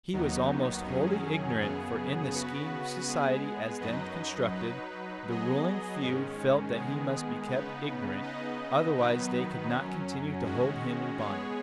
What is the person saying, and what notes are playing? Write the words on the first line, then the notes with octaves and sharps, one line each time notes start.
He was almost wholly ignorant for in the scheme of society as then constructed, the ruling few felt that he must be kept ignorant, otherwise they could not continue to hold him in bondage.
D#2 D#3 F#3 B3 D#4
F#2 D#3 F#3 C#4 G#4
F#2 C#3 B3 G#4
C#3 B3 F#4 B4
G#3 B3 G#4
F#2 F#3 D#4 B4 D#5
F#3 D#4 B4
F#3 B3 G#4 D#5
G#2 D#3 G#3 C#4
D#3 G#3 B3 G#4
C#3 B3 D#4 B4
C#3 B3 D#4 B4 D#5
D#3 F#3 B3 D#4 B4
F#2 F#3 C#4
D#3 G#3 C#4 F#4
G#3 B3 G#4 C#5